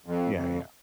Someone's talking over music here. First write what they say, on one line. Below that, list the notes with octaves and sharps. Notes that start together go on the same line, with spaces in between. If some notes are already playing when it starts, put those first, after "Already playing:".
Yeah, yeah.
F2
F2